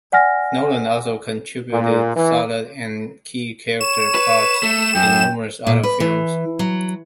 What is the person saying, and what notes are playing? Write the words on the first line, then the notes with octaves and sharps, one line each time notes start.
Nolan also contributed solid and key character parts in numerous other films.
D5 F#5 G#5 F6 A#6
A#2
E3
C#5 E7
B4
A3
F#2 G5
A#2
B4
E3
F#3